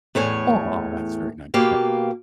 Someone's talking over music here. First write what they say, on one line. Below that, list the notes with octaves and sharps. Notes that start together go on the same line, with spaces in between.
Aww, that's very nice, thank
E2 A2 C#5 G#5
B2 A#3 G4 F5